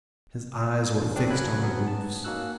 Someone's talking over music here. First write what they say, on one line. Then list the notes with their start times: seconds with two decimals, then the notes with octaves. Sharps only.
His eyes were fixed on the roofs.
1.01 D#2 F3 C#4 D4
1.16 D#3 F#3 C4 D4
1.30 C#3 F#3 C#4 B5 F#6 G#6
1.62 F#3 B3 C#4
1.88 A5
2.24 A#3 C#4 D#4 F#4 E6 F#6